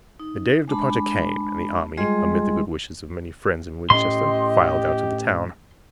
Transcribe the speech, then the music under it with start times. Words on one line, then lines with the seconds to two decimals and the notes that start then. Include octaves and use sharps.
The day of departure came and the army, amid the good wishes of many friends in Winchester, filed out of the town.
0.20 D#4
0.68 G#3 D4 A5 B5
1.98 G3 G#3 F4 G#4 D#5 C6
3.90 A2 C#4 G4 D#5 C6